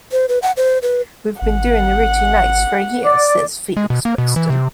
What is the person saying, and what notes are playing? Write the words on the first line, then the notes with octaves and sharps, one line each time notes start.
We've been doing the Rooty nights for a year,' says Felix Buxton.
C5
B4
F#5
C5
B4
G#1 F#5
D5
G#3
B2
A#3
B2
E3
C3